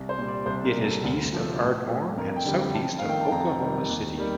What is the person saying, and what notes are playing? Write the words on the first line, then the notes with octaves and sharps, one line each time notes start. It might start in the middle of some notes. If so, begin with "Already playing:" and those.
It is east of Ardmore and southeast of Oklahoma City.
Already playing: C2
C5
A#2 G3
D5
C2 C5
A#4
A#2 G3
A4
D2
C3 F3 A3
A2
A3
F2 A#4
G5
D3 G3
G5
F2 A5
D#3 A3 F5
G5
A5
F2 A#5
D#3 G3
D#2
D#3 G3